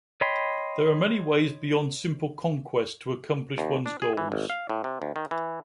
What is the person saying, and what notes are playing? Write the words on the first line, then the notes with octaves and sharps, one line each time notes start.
There are many ways beyond simple conquest to accomplish one's goals.
C#5 D#5 G5 B5 C6
D#2
D4
G#4
E3
G#1
F5
A2
C3
D2
D#3
E3